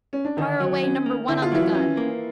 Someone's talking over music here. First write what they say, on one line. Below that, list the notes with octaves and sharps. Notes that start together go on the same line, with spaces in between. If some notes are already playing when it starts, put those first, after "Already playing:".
Fire away number one on the gun.
C#4
D4
D3 D#3 D#4
F#3
C#4
A#3
D3 E4
F4
E3 F#3 E4
C#4
A#3